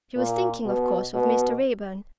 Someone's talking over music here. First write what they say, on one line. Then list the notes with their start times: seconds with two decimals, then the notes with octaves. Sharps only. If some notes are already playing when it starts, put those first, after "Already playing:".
She was thinking, of course, of Mr. Raeburn.
0.17 A#2
0.65 B2
1.14 B2